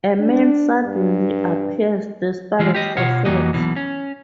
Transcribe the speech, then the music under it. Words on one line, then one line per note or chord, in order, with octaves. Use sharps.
A man suddenly appears, desperate for sex.
D4
G2
E3 G#3 F4
G4 D#5
B2 F4 C#5 F#5
F2 E3 A#3 F#4 D#5
B1 E2 B2 E3
C#4